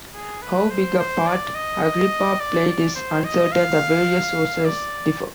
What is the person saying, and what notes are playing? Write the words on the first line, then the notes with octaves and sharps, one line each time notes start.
How big a part Agrippa played is uncertain; the various sources differ.
G#4
B4
C5
C5
D5
D#5
D#5
D5
D5
C5
D#5
F5
D5